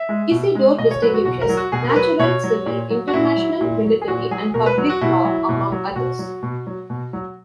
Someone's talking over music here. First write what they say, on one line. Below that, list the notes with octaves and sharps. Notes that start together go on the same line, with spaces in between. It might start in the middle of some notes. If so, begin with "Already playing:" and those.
Isidore distinguishes natural, civil, international, military and public law among others.
Already playing: E5
G#3
B2
G#3
B2 D#5
C#5
F#3 B4
F#4
B2 F#4
A#4
F#3
F#4
B2 G#4
A#4
F#3 B4
B2 C#5
F#3
A#2
F#3
F#4
A#2 E4
F#3
A#2
F#3
G#4
A#2 F#4
F#3 G#4
B2 A#4
B4
F#3
F#4
B2 E4
F#3
B2
F#3
B2 F#4
F#3
B2
F#3
B2
F#3